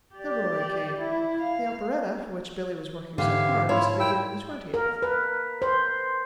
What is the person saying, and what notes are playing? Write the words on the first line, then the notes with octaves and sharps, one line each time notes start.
February came The operetta, for which Billy was working so hard, was to be given the twentieth.
G4 D5
E4
F5
G#2 D3 E3 G4 F5
E4 F4 A#4 C#5 A5
E4 G5 E6
A#4
B4
C5